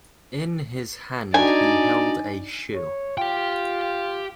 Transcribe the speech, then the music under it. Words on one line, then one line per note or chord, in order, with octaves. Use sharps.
In his hand he held a shoe.
D4 D#4 F#4 D5 G#5
C#5
F4 G4 G5